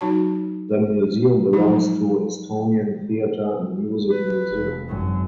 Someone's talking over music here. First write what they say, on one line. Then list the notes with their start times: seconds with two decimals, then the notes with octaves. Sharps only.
The museum belongs to Estonian Theatre and Music Museum.
0.01 F#3 D#4 F#4 C#5 A5
1.53 F3 F#3 G#3 D#4 F4
4.10 B4
4.51 F1
4.88 G#1 F#2